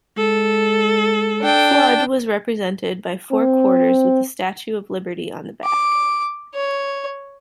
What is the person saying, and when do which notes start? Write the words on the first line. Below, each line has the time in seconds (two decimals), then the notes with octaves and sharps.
Flood was represented by four quarters with the Statue of Liberty on the back.
0.17 G#3 A4
1.42 D4 G5
3.32 C4
5.64 D6
6.55 C#5